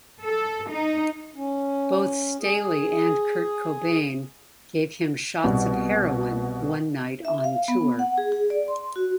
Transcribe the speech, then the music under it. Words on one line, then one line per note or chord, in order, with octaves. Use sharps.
Both Staley and Kurt Cobain gave him shots of heroin one night on tour.
A4
D#4
C#4
G#4
C2 B2
E5
F5
B3
F#5
G#4
G#4
D5
C6
F#4